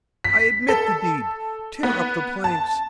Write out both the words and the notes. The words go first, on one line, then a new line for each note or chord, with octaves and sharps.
I admit the deed!--tear up the planks!
B6
A4
B3
A5